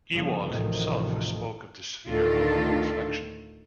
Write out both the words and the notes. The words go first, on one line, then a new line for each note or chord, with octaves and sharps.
Ewald himself spoke of the sphere of reflection.
G1 C#3 F3
A1 D2 A2 C3 D#3 F3
D2 A2 D#3 D4 F4 A4